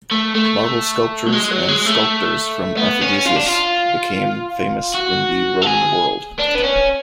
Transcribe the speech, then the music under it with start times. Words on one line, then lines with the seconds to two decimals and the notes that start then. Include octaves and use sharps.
Marble sculptures and sculptors from Aphrodisias became famous in the Roman world.
0.11 A3
0.35 A3
1.26 F#3
1.32 G#3
1.50 F#3
1.68 G#3
1.86 A3
2.77 B3
3.01 C#4
3.25 F4
3.36 D4
3.47 F4
4.94 F#4
5.62 A4
5.67 G#4
6.39 D4
6.55 B3
6.64 C#4